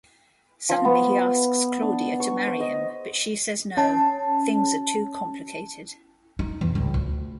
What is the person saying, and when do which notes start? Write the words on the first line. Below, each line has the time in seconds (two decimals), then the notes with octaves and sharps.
Suddenly he asks Claudia to marry him, but she says no-things are too complicated.
0.69 F3
0.85 B3
1.82 D4
2.20 C#6
2.47 C5
2.60 D#5
3.77 C#4 A5
6.39 D#4
6.61 E2
6.75 C#2
6.94 D2